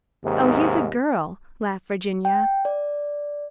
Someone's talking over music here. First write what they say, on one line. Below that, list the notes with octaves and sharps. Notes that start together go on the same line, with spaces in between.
"Oh, he's a girl!" laughed Virginia.
D#2 G#2 C3
G5
D5